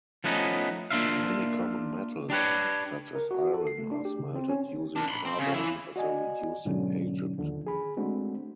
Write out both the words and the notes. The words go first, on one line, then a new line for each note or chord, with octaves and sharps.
Many common metals, such as iron, are smelted using carbon as a reducing agent.
F3 A3 B3 C#4 D#4
A#3 C4 D4 F4 E5 F5
D4 G4 B4 C#5
A#4
F#4
A4
C7
A3
D4
G4
C#3
C4
C#4
D4 A#4
B5 C6
C4
C#3
E3 E4
F#4 D5 D#5 G#5
G#2 B2 D3 F#3 C#4 D4
D#2 D3 F3
G#4 B5
G#3 A3 C4 D4 F#4